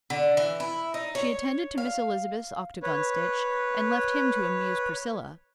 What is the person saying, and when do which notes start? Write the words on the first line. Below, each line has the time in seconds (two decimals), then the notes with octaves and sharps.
She attended to Miss Elizabeth's octagon-stitch, and left him to amuse Priscilla.
0.10 D3
0.37 E3
0.60 E4
0.94 D#4
1.15 C#5
1.78 F5
2.83 B4 C#5